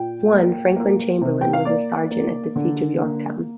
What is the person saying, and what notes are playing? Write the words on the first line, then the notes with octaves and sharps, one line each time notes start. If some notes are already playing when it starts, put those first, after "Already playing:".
One, Franklin Chamberlain, was a sergeant at the Siege of Yorktown.
Already playing: A#2 G5
A#3
A#3
C3
G5
F5
A#3 D5
A#3
D3
A#3